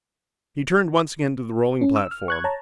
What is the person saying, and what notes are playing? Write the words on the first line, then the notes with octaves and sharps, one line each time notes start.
He turned once again to the rolling platform.
C#4
E6
F6
C#6 F#6 G#6
C#5 A5 A#5